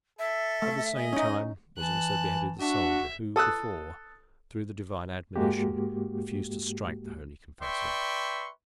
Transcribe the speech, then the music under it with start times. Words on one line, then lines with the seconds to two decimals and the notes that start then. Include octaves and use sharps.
At the same time was also beheaded the soldier, who before, through the Divine admonition, refused to strike the holy confessor.
0.19 A4 E5
0.62 A3
0.95 G#4 D#5
1.13 C#4 D#4
1.77 E3 A5 F#6
2.60 D4 F#4 E5
3.36 A4 D#6 E6 F#6
5.36 G#2 G#3 A#3 F#4 G4
7.61 B4 D5 E5 G5 C6 C#6